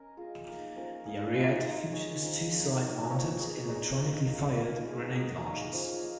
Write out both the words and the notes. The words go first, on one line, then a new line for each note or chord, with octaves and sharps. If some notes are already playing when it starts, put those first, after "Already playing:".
The Ariete features two side-mounted, electronically fired grenade launchers.
Already playing: C#4 A#4 D#5
G#3 F4 G#4
A#3 D#4 G#4
F3 A#3 C#4 A#4
D#4 G#4 F5
F3 G#3 D#4
G#3 D#4 G#4 D#5
G#3 D#4 C#5
F3 G#3 C#4
A#3 D#4 C#5
D#4 A#4 C#5
F3 A#3 D#4 C#5
D#4 G#4 D#5
D#4 G#4 D#5
F3 C#4 F4
C#4 A#4 F5
G#3 F4 A#4 C#5
C#4 F4 G#4
A#3 C#4 G#4 D#5
D#4 C#5 F5
F3 A#3 C#4
D#4 A#4 D#5